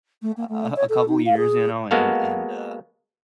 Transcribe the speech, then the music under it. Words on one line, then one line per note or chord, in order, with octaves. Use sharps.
a a a couple of years, you know, and and, uh,
A3
A#3
A3
C#5
A4
D#4
F5
G#4
G#3 A#3 B3 F#4 A4 F5